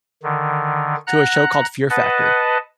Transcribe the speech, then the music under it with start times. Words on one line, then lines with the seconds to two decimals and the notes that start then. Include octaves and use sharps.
to a show called Fear Factor.
0.23 D3 D#3
1.07 F#5 A#5 F#6
1.90 B4 D#5 F#5 A5